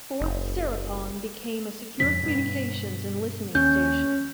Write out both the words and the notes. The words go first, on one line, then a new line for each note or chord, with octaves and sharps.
Fort Serapong became a secure communications and listening station.
F#1
F2 G#2 C#3 B6
G2 B2
D#2 C#4 G6